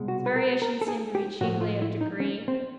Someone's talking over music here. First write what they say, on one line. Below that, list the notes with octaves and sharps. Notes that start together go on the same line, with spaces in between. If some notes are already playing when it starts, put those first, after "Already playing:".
Its variations seem to be chiefly of degree.
Already playing: C2 B2 G#3
F#4
B4
A#4
A#4
A4
G#4
G4
A2 F3 A3 F#4
F4
E4
D#4
C#4
C4